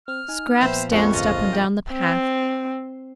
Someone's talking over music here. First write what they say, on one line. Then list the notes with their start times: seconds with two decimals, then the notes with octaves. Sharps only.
Scraps danced up and down the path.
0.08 C4 F6
0.28 D#4 G#5
0.61 A#2 F3 B3 C5 E5 G5 B5
0.92 A#1 F2 G3 F#4 C#5
1.13 G#1 D2 C#4 F4 D#5 A6
1.53 G5
1.92 C4